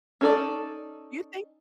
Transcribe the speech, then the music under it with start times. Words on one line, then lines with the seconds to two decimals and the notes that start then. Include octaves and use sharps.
Do you think
0.21 C#4 D#4 A4 B4 D5